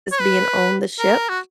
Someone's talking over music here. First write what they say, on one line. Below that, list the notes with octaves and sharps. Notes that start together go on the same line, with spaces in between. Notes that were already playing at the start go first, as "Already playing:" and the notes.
is being on the ship
C#5
B4
A#4
F#4